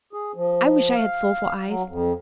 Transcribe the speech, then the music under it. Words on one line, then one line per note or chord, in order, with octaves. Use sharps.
I wish I had soulful eyes.
G#4
F3
F5
F#3
F2